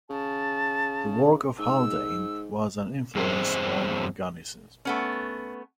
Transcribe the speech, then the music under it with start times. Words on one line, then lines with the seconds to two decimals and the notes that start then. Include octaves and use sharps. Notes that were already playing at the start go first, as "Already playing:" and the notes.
The work of Haldane was an influence on organicism.
0.10 C#3 A5
1.59 G#2 E6
3.15 E2 G2 C4 G#4 C5
4.85 A3 B3 C#4